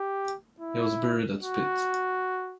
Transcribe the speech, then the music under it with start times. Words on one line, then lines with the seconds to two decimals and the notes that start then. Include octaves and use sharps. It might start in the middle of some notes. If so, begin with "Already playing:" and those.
He was buried at Split.
Already playing: G4
0.60 E4
1.42 F#4